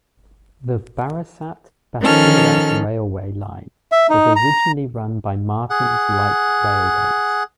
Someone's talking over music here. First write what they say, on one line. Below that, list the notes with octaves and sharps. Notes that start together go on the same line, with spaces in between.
The Barasat - Basirhat Railway line was originally run by Martin's Light Railways.
D#3 F3 C#4 A4 F6
E5
D#4
A#5
G#4 F#5